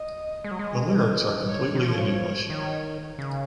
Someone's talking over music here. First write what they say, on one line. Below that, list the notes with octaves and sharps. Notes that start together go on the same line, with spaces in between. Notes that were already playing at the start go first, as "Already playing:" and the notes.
The lyrics are completely in English.
Already playing: D#5
G#3 D#5
F#3
G#3
C#5
D#3
F3 C#5
D#3 C#5
C#3